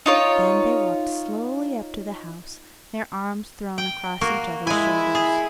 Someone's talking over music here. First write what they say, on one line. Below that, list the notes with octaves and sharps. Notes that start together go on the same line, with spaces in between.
Then they walked slowly up to the house, their arms thrown across each other's shoulders.
D#4 F4 C#5
G5
A#3 F#4
G#3 E4 G#5
G#4